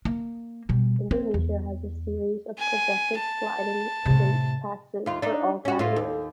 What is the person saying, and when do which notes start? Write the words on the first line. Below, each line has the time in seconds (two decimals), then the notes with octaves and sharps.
Indonesia has a series of progressive sliding rate taxes for all categories.
0.05 A#3
0.69 B2 G3
1.11 C4
1.34 E2
2.59 G#5
3.19 A5
4.05 A2 C3
5.06 D#2 F4
5.22 D4 D#4
5.65 C#4 F#4
5.79 A2 F4
5.96 D#2